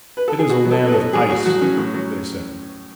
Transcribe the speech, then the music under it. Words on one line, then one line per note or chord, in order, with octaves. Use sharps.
"It is a land of ice," they said.
B4
A4
G#4
B2 F#4
F#3
A4
B2
B4
A4
B2
F#3 G#4
A2 F#4
F#3 F#4
F#3 C#4
A2
F#3